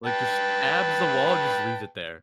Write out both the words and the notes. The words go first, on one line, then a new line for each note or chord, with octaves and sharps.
Like, just stabs the wall and just leaves it there,
B4 G5 A5